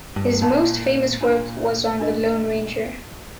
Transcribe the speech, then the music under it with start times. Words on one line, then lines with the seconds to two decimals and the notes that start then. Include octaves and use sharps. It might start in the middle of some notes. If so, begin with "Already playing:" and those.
His most famous work was on "The Lone Ranger".
0.16 G2
0.41 A#2 D#4 A#4 F5 A5
1.21 A#2 D4 F4 A#4
2.00 D4 F4 A#4 D#5